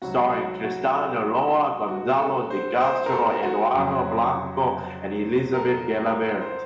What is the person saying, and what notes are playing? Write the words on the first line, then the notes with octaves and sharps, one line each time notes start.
Starring Tristán Ulloa, Gonzalo de Castro, Eduardo Blanco and Elisabet Gelabert.
C#2 C3 F#3 F#4
F#4
F#4
A4
F#4
A4
C5
C5
A#4
A4
F#4
F2 C#3 F#3
A#4
A4
A#4
C5